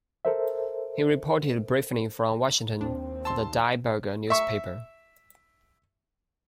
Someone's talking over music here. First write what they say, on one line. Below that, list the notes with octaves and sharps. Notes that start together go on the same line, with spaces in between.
He reported briefly from Washington for the "Die Burger" newspaper.
A4 A#4 C5 E5
D#2 C4 D4
A5 C6 E6
E5 C#6